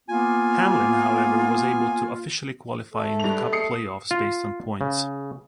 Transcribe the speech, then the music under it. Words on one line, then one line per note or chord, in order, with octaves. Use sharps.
Hamlin however was able to officially qualify in the Cup Playoffs based on points.
A#3 B3 F4 G#5
A3 A4
G2 F7
D#6 C7 C#7
F4
C#3